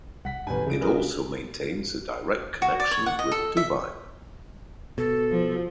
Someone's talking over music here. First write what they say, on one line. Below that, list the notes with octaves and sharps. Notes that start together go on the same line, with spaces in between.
It also maintains a direct connection with Dubai.
C2 F#5 B6
A1 G2 B2 G4 B4 G#5
C#2 C#3 G3 D7
D4 F4 A#4 B4 D#5 G#5
F#4
D5
C#5
F#5
D#5
A4
E5
B2 A4
F3